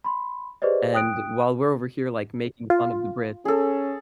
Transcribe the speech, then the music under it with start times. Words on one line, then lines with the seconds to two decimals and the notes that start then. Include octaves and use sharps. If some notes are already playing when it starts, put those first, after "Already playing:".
and while we're over here like making fun of the Brits
0.04 B5 C6
0.62 G4 G#4 B4 C5 D5 D#5
0.94 G5 D#6 F#6 D7
2.70 F4
3.45 C#4 G#4 A4